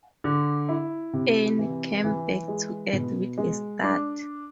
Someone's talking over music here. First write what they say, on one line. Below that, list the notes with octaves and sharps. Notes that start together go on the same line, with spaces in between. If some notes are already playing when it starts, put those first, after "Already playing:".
Anne came back to earth with a start.
D3
E4
C3
E3
E3
G#3
B2
G#3
D4